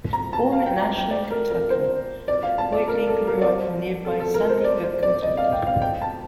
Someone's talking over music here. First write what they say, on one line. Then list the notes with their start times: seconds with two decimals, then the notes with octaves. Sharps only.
Born in Ashland, Kentucky, Whitley grew up in nearby Sandy Hook, Kentucky.
0.13 A#5
0.33 A5
0.52 F5
0.66 G5
0.81 A#5
0.96 G5
1.11 D5
1.30 A#4
1.51 A#4
1.70 C5
2.28 D5
2.43 F5
2.58 A5
2.72 D5
2.88 A#4
3.08 A4
3.27 A#4
3.41 D5
3.47 C5
4.05 A4
4.20 A4
4.34 A#4
4.49 C5
4.64 D5
4.84 C5
5.03 D5
5.22 D#5
5.37 F5
5.52 G5
5.67 F5
5.82 G5
6.02 A5